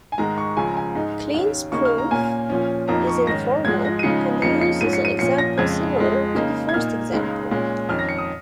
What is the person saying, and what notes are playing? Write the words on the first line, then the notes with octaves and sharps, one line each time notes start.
Kleene's proof is informal and uses an example similar to the first example.
G#5
G#2 D#3 G#3 A#5
C#6
C#2 C#3 F3 G#5
A#5
G#5
G#2 G#3 D#4
D#2 D#3 C#4
D#2 C#3 A#3 D#4 C#6
F6
A#5
A#2 A#3 C#4 G#5
A#2 F3 C#4
F2 F3 A#3 D#4 A#5
C#6
G#2 D#3 C#4 A#6
G#2 F3 G#3 D#4 G#6
A#6
D#7
C#3 F3 G#3 D#4 C#7
F2 C#3 F3 A#3 D#4 C#7
C#7
G#2 F3 C#4 D#7
C#7
D#7
A#2 F3 C#4 C#7
A#6
F2 C#3 G#3 G#6
F2 F3 G#3
C#3 A#3 D#4
G#6
A#2 A#3 D#4 F6
C#2 C#3 G#3 D#4
A#2 G#3 C#4
F2 D#3 C#4 F6
A#6
C#7
D#6